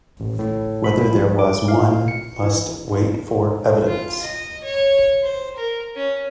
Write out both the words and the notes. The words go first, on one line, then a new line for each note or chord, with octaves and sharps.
Whether there was one must wait for evidence.
A1
A2
B5
F3
D6
F5
C#7
E3
F4
D#5
C#5
C5
A#4
C#4